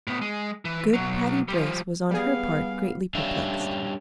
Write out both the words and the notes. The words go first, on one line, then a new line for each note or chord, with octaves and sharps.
Good Patty Brace was, on her part, greatly perplexed.
A2 B3
G#3
E3
B2 F#3
F3 G3
G3 B3 G#4 F5
G3 C#4 D4 A4 E5 F5